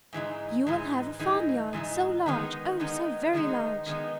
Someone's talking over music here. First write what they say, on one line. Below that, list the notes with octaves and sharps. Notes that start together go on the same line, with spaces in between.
You will have a farm-yard, so large, oh! so very large!
G#2 E3 G#3 D#4
G#2 E3 G#3 D#4
G#2 E3 G#3 D#4
G#2 E3 G#3 D#4
D#3 G#3 B3 D#4
D#3 G#3 B3 D#4
D#3 G#3 B3 D#4
D#3 G#3 B3 D#4